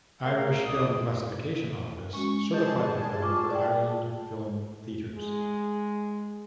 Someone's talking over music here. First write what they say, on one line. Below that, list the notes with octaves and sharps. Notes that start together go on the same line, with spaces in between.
Irish Film Classification Office certified the film for Ireland film theaters.
A3 A#4 F5
C2 F2 D5 D#6
G#3 C#4 F#4 C#6
G3 G#4 D#5 A5 G6
G#6
F4 C#6 D6
D5 G5
F4 G#4 A5
G#3